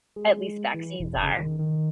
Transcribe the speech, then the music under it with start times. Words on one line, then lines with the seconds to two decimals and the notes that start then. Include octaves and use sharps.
at least vaccines are.
0.16 G#3
0.33 G#3
0.74 E3
1.00 E1
1.22 C#3
1.38 D#3
1.59 D#3